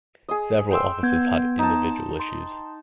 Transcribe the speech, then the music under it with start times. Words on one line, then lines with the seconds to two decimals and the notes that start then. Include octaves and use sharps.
Several offices had individual issues.
0.29 G#4 D#5
0.71 G5 C6 E6
1.03 B3 G6 G#6
1.59 D#4 A5
2.20 C6